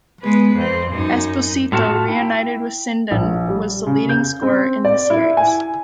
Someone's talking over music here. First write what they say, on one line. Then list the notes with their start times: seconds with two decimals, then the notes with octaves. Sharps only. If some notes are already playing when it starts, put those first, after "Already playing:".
Esposito, reunited with Sinden, was the leading scorer in the series.
0.22 G#3 B3 B4
0.55 F2 C4
0.91 F#2 D#4
1.72 A2 F4 F#4 A5
2.08 E4 G5
3.11 A#1
3.48 G3
3.86 C#3
4.09 G6
4.42 C4
4.85 D5
5.10 E4
5.37 G#5